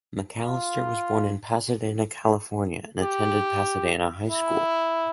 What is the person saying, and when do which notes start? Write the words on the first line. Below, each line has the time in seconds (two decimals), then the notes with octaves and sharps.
McAlister was born in Pasadena, California, and attended Pasadena High School.
0.45 F4
3.02 G4
4.30 E4